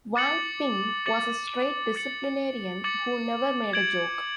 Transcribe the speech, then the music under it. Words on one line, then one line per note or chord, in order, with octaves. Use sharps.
Wang Ping was a straight disciplinarian, who never made a joke.
D6 A6 C#7 F#7
D6 A6 C#7 F#7
D6 A6 C#7 F#7
D6 A6 C#7 F#7
G#6 D7 F#7